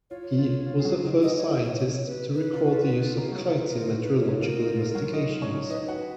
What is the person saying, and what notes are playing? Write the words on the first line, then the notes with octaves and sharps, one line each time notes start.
He was the first scientist to record the use of kites in meteorological investigations.
F4 C#5
F4
F4
G#4
F#3 F#4
D#4
D#5
C#5
D#5
C#5
C#5
B4
B4
F4
F#4
F4
D#4
F4
A#3 A#4
G#4
F#3 F#4
C#5
F4 B4
F4 B4
D#4 A#4
F#4
F4 B4
D#4 C#5
F4 A#4
D#4
F4
F#3 F#4
D#4 D#5
C#4 C#5
D#4 B4 D#5
C#5
F#4 B4 F#5